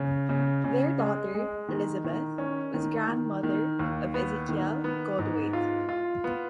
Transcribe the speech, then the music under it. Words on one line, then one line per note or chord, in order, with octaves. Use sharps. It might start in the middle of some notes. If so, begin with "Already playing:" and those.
Their daughter, Elizabeth, was grandmother of Ezekiel Goldthwait.
Already playing: C#3
C#3
C#3
G#3
G#3
D#3
D#3
C#4
D#3
D#3
D#3
D#2
B3
D#3
B3
G#2
F4
F4
B3